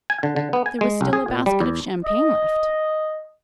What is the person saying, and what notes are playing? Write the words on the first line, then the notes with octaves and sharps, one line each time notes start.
There was still a basket of champagne left.
G#5
D3
D3
B3
G#5
G#3
C2
G#4
A#2
G3
E2
D#5